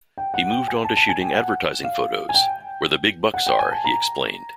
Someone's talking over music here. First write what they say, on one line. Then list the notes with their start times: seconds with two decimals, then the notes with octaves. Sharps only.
He moved on to shooting advertising photos, "where the big bucks are," he explained.
0.18 G5
0.34 F#5
0.51 G5
0.68 G#5
0.84 A5
0.97 A5
1.09 G#5
1.21 G5
1.34 F#5
1.84 F5
2.29 G#5
2.34 G5
3.34 F#5
3.47 G5
3.59 G#5
3.71 A5
3.84 A#5